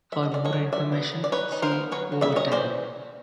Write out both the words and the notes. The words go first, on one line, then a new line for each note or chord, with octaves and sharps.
For more information, see Overtime.
F#3 E5
D#5
F#3 D5
C#5 D#5
F#3
F#3 D5 E5
B3
F#3
D5
D#4 B4 C#5
D#4
A#4 C5
B3
F#3 B4 C#5
F#3
D5 E5
F#3 C#5 D#5
E3 C5 D5